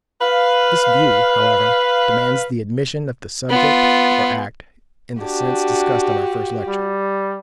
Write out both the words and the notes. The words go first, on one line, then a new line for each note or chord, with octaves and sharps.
This view, however, demands the admission of the subject, or act, in the sense discussed in our first lecture.
B4 F5
B3 F4
D4 F#4 G4
G3